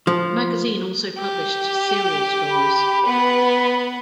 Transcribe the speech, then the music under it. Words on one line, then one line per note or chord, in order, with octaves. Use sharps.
The magazine also published serial stories.
F3
G4
B5
B3 B4